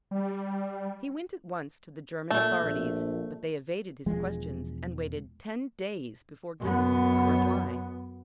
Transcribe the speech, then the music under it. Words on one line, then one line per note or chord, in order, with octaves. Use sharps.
He went at once to the German authorities, but they evaded his questions and waited ten days before giving him a reply.
G3
A#2 A3
A#1
E1 F3 G#3
F#2 B3